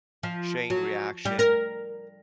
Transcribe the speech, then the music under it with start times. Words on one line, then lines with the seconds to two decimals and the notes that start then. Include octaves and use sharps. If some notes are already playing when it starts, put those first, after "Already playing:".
chain reaction.
0.23 F3
0.70 F#3
1.25 G3
1.39 A#4